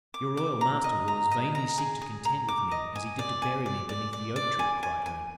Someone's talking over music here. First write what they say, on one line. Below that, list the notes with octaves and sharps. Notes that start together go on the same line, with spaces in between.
"Your royal master will as vainly seek to contend with me as he did to bury me beneath the oak-tree," cried Herne.
D6
D6
A#5
D#5
A#5
D#5
A#5
G#4
G#4
A#5
D6
D#5
G#5
D5
G#5
D5
D5
D5
D5
G#5
G#5
G#5